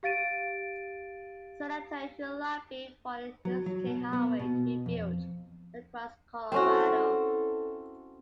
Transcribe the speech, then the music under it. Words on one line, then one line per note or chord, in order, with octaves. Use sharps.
Senator who lobbied for an Interstate Highway to be built across Colorado.
G4 F5 A6 D7 D#7
F#3
F#3
B2
B3
B2
F2
C4 C#4 E4 F#4 A4